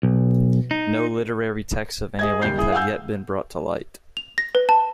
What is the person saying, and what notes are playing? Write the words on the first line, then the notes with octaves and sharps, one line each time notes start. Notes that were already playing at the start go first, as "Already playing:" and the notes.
No literary texts of any length have yet been brought to light.
B1
D#4
G#4 D#5 G#6
F#1 D#2 G3 G6 C7
E4 G#4
F5 F#5 G#5 E6 G6
F7
A#6
B4
A5